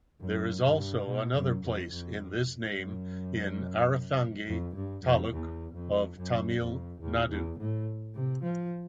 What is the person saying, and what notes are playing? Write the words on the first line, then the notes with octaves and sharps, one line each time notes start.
There is also another place in this name in Aranthangi taluk of Tamil Nadu.
F#2
G2
B2
F#2
F2
F2
F#2
F2
G2
F2
E2
F2
F#2
F2
E2
E2
A2
C3
F3